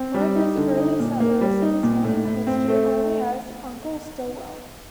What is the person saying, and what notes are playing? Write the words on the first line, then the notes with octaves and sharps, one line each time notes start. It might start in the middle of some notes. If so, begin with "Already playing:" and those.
One of these early settlers is known in history only as "Uncle" Stillwell.
Already playing: C4
G3
D#4
D3
D#4
A#2
A#3
G3
D#4
A#2
A2
A2
C4
A3